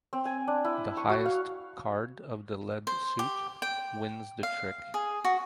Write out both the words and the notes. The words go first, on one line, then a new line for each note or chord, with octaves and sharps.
The highest card of the led suit wins the trick.
C4
G#5
D4
E4
C#6
F#4
F5
C5
G4
G5
F5
G#4
F#4